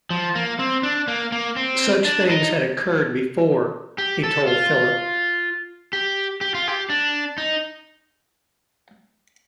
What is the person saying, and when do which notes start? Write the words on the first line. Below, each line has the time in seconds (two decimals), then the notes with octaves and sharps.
Such things had occurred before, he told Philip.
0.10 F3
0.35 A#3
0.59 C4
0.83 D4
1.08 A#3
1.32 A#3
1.56 C4
2.05 D4
2.29 D#4
3.98 G4
4.23 A4
4.47 F4
5.93 G4
6.41 G4
6.55 F4
6.68 G4
6.90 D4
7.38 D#4